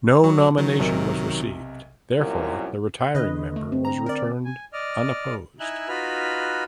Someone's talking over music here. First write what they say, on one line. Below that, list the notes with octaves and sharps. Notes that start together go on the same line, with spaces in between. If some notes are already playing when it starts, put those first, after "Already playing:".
No nomination was received therefore the retiring member was returned unopposed.
F#3 C#6
D#3 F#3
B1 C3 A#4
C2 F#2 A#2
D3 B4 D#5
A3
C4
A#5
A#4 D5
G#5
D5 D#5 F6
D#4 E4 E5 G#5 E6 F#6
D#4 F4 F#4 B4 B5 F6